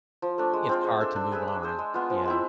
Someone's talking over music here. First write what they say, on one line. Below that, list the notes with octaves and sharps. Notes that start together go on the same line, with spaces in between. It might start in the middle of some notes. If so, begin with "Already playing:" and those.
It's hard to move on, yeah.
F3
A3 D4
G#3
C4 F4
G#3
D4 A4 E5
D4
G#4 B4 E5
D4
G#4 C5
G#3
B3 F4
F3
G#3 C4 E4